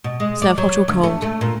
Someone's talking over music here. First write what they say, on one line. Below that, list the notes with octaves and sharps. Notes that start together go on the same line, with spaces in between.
Serve hot or cold.
B2
G#3
D5
F#3
D2
A3
A3
A#2